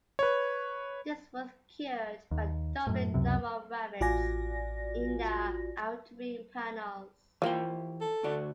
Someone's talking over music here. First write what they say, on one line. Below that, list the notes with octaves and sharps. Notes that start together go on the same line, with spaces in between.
This was cured by doubling the number of rivets in the outer wing panels.
B4 C#5
D#2
F#2 A2
C#2 F#2 C3
A1 F4 F#4 D5 G#5 A#6
E3 F3 A#3 G4 G5
A4
D2 F#4 D5